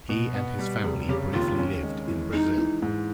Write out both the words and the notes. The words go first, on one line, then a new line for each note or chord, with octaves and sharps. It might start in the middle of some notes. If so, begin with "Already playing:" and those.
He and his family briefly lived in Brazil.
B2
B3
G3
F1 G#4
C#3 G4
D#2 F4
C#4
G#3
E3
G#3 D#4
E3
G#2